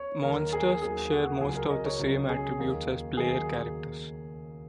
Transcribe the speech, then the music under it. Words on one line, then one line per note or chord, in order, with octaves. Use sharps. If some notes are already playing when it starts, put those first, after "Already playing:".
Monsters share most of the same attributes as player characters.
Already playing: C#5
D#2 D#3 F#3 A#4
G#4
D#2 D#3 F#3 G#4
F#4
C#2 C#3 F#3 G#4
A#4
D#5
C#5
C#2 C#3 F#3
G#4
D#2 D#3 F#3
D#2 D#3 F#3 G#4